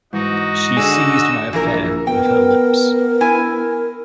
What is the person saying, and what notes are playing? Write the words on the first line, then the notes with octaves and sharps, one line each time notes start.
She seized my affair with her lips.
G#2 E3 D#4 F#4
D3 G#4 E6
A#1 E3 A#3 A#4
B3 A#4 G5
E4 G#5